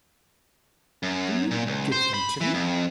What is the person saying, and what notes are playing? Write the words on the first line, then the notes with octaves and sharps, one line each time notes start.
"Do you give them to me?"
F#2
A#2
C#2
C5
B5
E3
F2